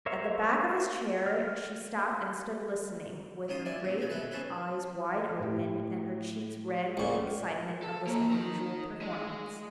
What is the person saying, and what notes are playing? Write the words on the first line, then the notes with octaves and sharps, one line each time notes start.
At the back of his chair she stopped and stood listening, with her great eyes wide open and her cheeks red with excitement of this unusual performance.
A#4 C5 C#5 E5 F5
F6
G#2 C#3 F4 C5 D#6
E4 D5 G#5
C#2 A#2
G2 A#2 B5
B1 G#3 A4 B4 E5 A5
C#4 G#4 A4 B4 C5
A2 E4 G4
C#2 A#2 C5 C#5 C#6
A4
A#3 C#5
D#4 A#4
G#3 D#5